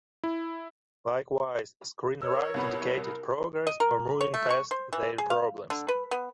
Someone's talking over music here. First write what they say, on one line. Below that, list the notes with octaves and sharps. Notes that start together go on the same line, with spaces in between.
Likewise, screen right indicated progress or moving past their problems.
E4
A#4 C#5 E6
C2 B3 A#4 B5
D#5
A#4
C#5
A3
C#6
C5
E3
G#4
F5
D3
B4
B3